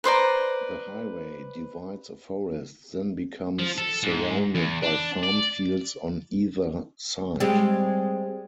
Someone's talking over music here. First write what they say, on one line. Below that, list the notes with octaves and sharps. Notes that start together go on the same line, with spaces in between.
The highway divides a forest, then becomes surrounded by farm fields on either side.
B4 C5 D5 A#5
F3
A4
G#2
E2
D4
D5
G3 G#3 C4